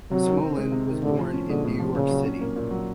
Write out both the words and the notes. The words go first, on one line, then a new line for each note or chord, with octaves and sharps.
Smolin was born in New York City.
C3 F#3
D#3
C4
G#3
C3
D#3
A2 D3
F3
C#4
D3 G#3
A2
F3
A#2 C#3
F#3
C#4
A#3
A#2
F#3